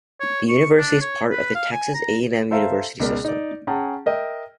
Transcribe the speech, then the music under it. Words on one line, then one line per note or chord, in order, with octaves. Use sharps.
The university is part of the Texas A and M University System.
C#5
C#6
D4
C#5
B4
F5
G#5
A#5
A4 C5 E5 F5 A#5
C#2 B2 A#4 D5
D#4 D5
C#4 G#4 F#5 G5 A5 A#5
A#4 D#5 E5 G5